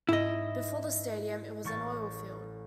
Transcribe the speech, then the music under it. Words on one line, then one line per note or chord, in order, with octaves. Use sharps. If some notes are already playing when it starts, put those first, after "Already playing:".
Before the stadium, it was an oil field.
G#2 E4 D#5
A1 C#6 A6